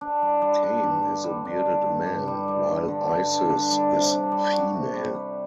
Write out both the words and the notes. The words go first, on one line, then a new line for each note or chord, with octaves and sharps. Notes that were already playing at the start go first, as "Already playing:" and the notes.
Thame is a bearded man, while Isis is female.
D4
G3
G3
D4
G2
D3
G3
D4
G3
G2
G2
G3
G3
G3
D3
G2
D4
D4
G3
C3
D4
G3
F#4
C3
G3
G3